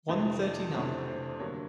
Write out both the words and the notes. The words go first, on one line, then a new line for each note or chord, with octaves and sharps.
One thirty-nine.
F2 C3 E3 A3 D4 D#5
D5
F2 C3 E3 A3 D4 C#5
C5
C5
C5
G2 D3 F#3 A#3 C#5